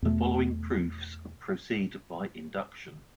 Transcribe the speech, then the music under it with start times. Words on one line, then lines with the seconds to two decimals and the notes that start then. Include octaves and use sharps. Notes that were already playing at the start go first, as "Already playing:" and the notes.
The following proofs proceed by induction.
0.02 E2 B2 A3